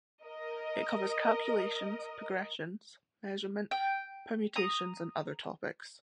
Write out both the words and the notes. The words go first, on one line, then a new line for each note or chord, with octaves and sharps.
It covers calculations, progressions, measurement, permutations, and other topics.
A#4 D#5
G5
A#5 D#6